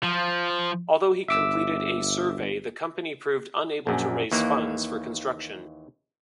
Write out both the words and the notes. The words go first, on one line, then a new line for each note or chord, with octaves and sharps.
Although he completed a survey the company proved unable to raise funds for construction.
F3
G1 E5 D6 E6
A#1 F#2
D#2 E3 A#3